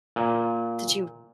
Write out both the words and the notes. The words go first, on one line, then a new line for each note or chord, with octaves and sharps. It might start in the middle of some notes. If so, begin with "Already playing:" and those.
Did you
A#2